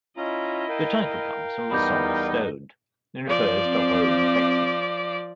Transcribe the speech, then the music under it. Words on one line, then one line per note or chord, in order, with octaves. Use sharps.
The title comes from the song, "Stoned," and refers to Rhome, Texas.
C#4 E4 F4 D#5 A#5
A#4 F5 G5
E2 G3 B3 D#4 B5 D6 G6
F3 D5
C4